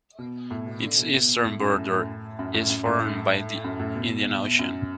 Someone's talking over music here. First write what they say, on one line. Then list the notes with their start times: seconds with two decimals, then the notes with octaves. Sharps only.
Its eastern border is formed by the Indian Ocean.
0.19 B2
0.51 A2
0.66 B2
0.82 D3
0.98 B2
1.45 A2
1.60 F#2
1.76 A2
1.92 A2
2.39 F#2
2.54 A2
2.70 F#2
2.85 A2
3.64 F#2
3.79 A2
3.95 B2
4.59 F#2